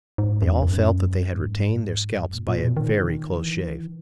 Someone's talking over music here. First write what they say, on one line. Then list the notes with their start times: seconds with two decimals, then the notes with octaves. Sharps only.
They all felt that they had retained their scalps by a very close shave.
0.18 G#2
0.42 F#2
0.47 E2
0.62 F#2
1.34 G#2
2.19 F#2
2.34 A#2
2.48 A#2
2.62 B2
2.77 D#3
3.35 E3